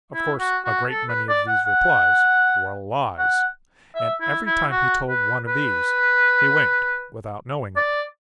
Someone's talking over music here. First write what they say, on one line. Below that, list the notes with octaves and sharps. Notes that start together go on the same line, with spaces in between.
Of course a great many of these replies were lies, and every time he told one of these, he winked without knowing it.
E4
F#4
F#4
A4
B4
D5
F#5
F#5
F#5
E5
E4
E4
F#4
B4
B4
D5